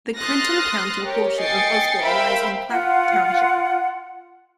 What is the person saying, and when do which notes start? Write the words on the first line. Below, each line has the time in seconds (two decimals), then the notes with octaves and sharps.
The Clinton County portion of Osborn lies in Platte Township.
0.16 C6 D#6 F6 F#6 A6 A#6
1.02 G4 A#4 C#5
1.38 D#5 G5 G#5 A6 C7 C#7
2.01 A#4 C5 E5 F5 G5 B5
2.69 F4 F#5